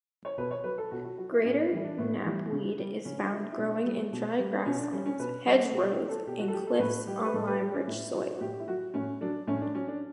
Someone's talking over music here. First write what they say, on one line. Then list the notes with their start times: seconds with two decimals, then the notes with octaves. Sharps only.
Greater knapweed is found growing in dry grasslands, hedgerows and cliffs on lime-rich soil.
0.25 C#5
0.37 B2 B4
0.51 C#5
0.64 F#3 B4
0.78 A4
0.91 B2 F#4
1.04 F#4
1.18 F#3 F#4
1.31 E4
1.45 A2 C#4
1.59 B3
1.71 E3 G3 E4
1.84 D4
1.98 A2 B3
2.25 E3 G3
2.52 C#3
2.78 G3
3.05 C#3 C#4
3.18 D4
3.31 G3 E4
3.52 E4
3.58 B2 D4
3.86 G3
4.12 B2
4.39 G3
4.66 B2 C#4
4.79 D4
4.92 G3 C#4
5.06 C#4
5.19 B2 B4
5.46 G3 C#5
5.65 A4
5.73 B2 G4
5.91 G4
6.00 F#3
6.09 A4
6.27 B2 G4
6.40 F#4
6.48 A4
6.53 F#3 G4
6.67 A4
6.79 A2 B4
7.07 G3 G4
7.25 B4
7.34 A2 A4
7.47 B4
7.60 G3 G4
7.74 C#4
7.87 A2 E4
8.14 F#3 F#4
8.36 F#4
8.41 A2 G4
8.59 E4
8.68 F#3 F#4
8.94 A2 C#4
9.21 F#3 D4
9.47 A2 C#4
9.61 D4
9.74 F#3 C#4
9.88 D4